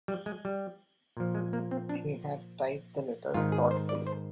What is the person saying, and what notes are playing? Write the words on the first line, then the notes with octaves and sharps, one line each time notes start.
He had typed the letter thoughtfully.
G3
G#3
G3
A#2 F3
G#3
A#3
C4
D4
G#2 D#3 F4
G#4
C5
D5
C5